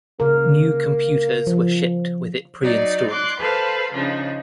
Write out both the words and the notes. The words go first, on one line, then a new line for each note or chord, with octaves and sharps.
New computers were shipped with it pre-installed.
C#3 A#3 A#4
F3
F#3 D#4 D5
C6 D6 F#6
A4 B4 C5 F5
C#3 F3 D4 D#4